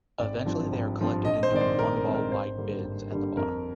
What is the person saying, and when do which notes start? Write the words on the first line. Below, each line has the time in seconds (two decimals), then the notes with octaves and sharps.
Eventually, they are collected into one-ball-wide bins at the bottom.
0.19 G#1 D5
0.46 G2 F3 C4
0.72 G#1
0.99 G2 F3 C4
1.25 A#1 D#5
1.43 C5
1.52 G#2 D#3 G#3 C4 D5
1.61 C5
1.79 A#1 A#4
1.97 A#4
2.05 G#2 D#3 G#3 C4
2.14 A#4
2.31 G#1 C5
2.58 G2 D3 G3 A#3
2.85 G#1
3.11 G2 D3 G3 A#3
3.37 F2 A#4